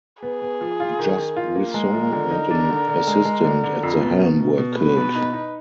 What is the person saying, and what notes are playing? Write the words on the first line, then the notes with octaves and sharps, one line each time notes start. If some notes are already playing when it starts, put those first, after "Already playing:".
Just Buisson and an assistant at the helm were killed.
B3 G#4
B3
F3
F4
D#3
D#3
F4
A#3
G#3 A#4
F3
D3
D#4
D4
D3
D3
G#3
G#3
D3
D3
F2
B2
B2
B2
B2
B2 B4
B2
D#4
D#4